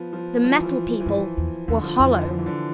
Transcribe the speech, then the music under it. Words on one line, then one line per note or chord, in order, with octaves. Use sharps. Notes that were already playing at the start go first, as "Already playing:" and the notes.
The Metal People were hollow!
Already playing: F3 B3
F3
F3
E3
F3
E3
G2 F3
E2
E2 D3
F3
F2 E3
D3
D3
E3
D3